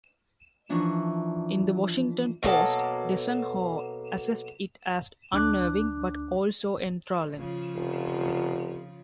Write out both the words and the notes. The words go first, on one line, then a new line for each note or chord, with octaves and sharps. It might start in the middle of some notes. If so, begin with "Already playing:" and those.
In "The Washington Post", Desson Howe assessed it as "unnerving but also enthralling".
E3 F3 D4 D#4 E5 C#6
B2 F#3 A#3 A4
D2 D4 D6 F#6
C#3 F3 F4
F1